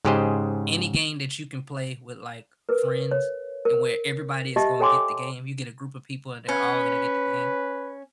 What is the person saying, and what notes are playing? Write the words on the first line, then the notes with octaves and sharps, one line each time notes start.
any game that you can play with, like, friends and where everybody is going get the game, you get a group of people and they're all gonna get the game,
G#2 C#3 G4 G#4 C5 D#5
A#4 B4
C#5
A#4
G4 D#5 E5 A5
A4 C#5 G5 G#5 C6 D6
C#4 B4